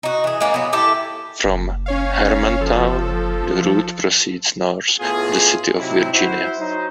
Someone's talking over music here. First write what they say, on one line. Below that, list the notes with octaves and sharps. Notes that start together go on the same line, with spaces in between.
From Hermantown, the route proceeds north to the city of Virginia.
D#4 F#4
E3 G#4
G#3 A#3 C#4
F#3 B3
E4 G4 A4
F#1
C#4 C#5 F5
F3 A4
A2 B3 F4 G#4
C3 F#3 D#4 E4
E4 F#4 C5
F#3 D#4 C5